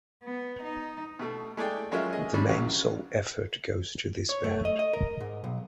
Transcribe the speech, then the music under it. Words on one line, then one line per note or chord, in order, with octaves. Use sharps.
The main soul effort goes to this band.
B3
D#4
B2 A3
G#3 A3 G#4 D5 G5
F#3 G#3 C#4 F4 A#4 E5
G#4 D#5
C3 G3 C#4 D4
A#1 E2 C#3 A#3 F#4 F5
C#5
A3
D#5
D#5
A#4
G#2
B1